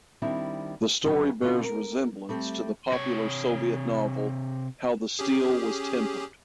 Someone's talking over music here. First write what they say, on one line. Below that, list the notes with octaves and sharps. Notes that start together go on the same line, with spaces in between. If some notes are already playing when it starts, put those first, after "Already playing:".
The story bears resemblance to the popular Soviet novel "How the Steel Was Tempered".
D#3 G3 C4 D4 E4
F#2 C#3 F#3 G4 B4
B2 D3 B3 C4 F4
A#4
G3 A3 C4
C3 C#5
C#4 G4 G#4